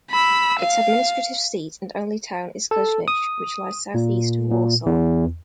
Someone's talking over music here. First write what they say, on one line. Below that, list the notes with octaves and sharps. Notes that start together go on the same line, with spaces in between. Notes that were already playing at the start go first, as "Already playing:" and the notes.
Its administrative seat and only town is Kozienice, which lies south-east of Warsaw.
B5 E6
F5
A4
D#6
A#2
A#2
E2